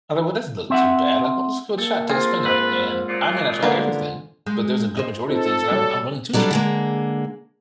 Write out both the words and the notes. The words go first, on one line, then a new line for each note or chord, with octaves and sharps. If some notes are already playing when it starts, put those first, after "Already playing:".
I thought, well it doesn't look too bad. Like, well, let's give it a shot, take a spin at it, and I may not try everything, but there's a good majority of things that I'm I'm willing to try.
C4 E5 F#5
A#3 A4
C4 F4 G#4
G#2 B4
F#2 A#2
D3 A#3 B3 B4
G#3 G6
C5 D#5
C4 D#4 F4 A4
G3 F#4 C#5
F#3 G3 D4 F4 A4
D3 G#3 A#3